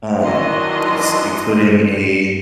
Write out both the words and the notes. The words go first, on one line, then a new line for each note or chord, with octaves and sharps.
um, s including a,
D#3 E3 F#3 D4 D#5 C6